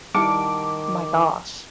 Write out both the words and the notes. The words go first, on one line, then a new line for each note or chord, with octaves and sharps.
my gosh,
D#3 G3 D#4 E4 A#4 F#5 A5 D6